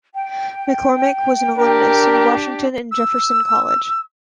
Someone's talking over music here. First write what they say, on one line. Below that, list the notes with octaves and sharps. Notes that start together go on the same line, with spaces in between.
McCormick was an alumnus of Washington and Jefferson College.
G5
D4 G4 A#4
E6